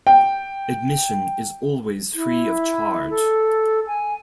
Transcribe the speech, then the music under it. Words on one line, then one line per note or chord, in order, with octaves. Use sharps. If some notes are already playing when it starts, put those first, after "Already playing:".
Admission is always free of charge.
G5
E4
A4
G#5